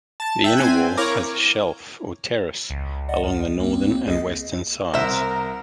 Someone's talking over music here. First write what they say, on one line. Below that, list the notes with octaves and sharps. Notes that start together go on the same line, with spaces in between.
The inner wall has a shelf or terrace along the northern and western sides.
A5 A6
E5 G5 F#6
C4 G#5 G#6
E4 A#4 C#5 F5 A#5 D6
C#2
D5 D#5 F#5
E2
A#3 C4
C#2 G#4 D#5
C2 A#4 C5 E5